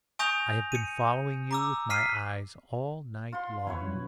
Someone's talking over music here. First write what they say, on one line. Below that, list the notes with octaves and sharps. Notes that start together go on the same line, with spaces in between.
I have been following you with my eyes all night long.
G#5 C#6 D#6 G6 A#6 F7
C#7 D#7
A#5 D6 E6
F6 B6 C7 D#7
F4 F#5 C6
E2 E4 B4 C#5
F#2 G3
B1 F#3 C#4